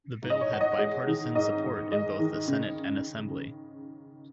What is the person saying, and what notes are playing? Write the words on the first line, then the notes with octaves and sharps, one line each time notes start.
The bill had bipartisan support in both the Senate and Assembly.
G#2
D#5
C#5
G#2 F#5
D#5
G#3 D#5
D#3
G#2 D#5
G#2
G#3 D#5
D#3
C#3